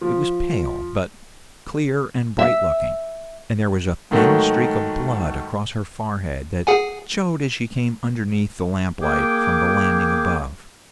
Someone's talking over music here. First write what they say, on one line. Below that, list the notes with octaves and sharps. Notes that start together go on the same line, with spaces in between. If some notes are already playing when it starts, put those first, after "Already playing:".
It was pale, but clear and bright-looking, and there was a thin streak of blood across her forehead that showed as she came underneath the lamp-light from the landing above.
F3
E5
G#2 D#3 F#3 A3 F#4
G#4 F#5 G#5
A#3 G#4 G5 D6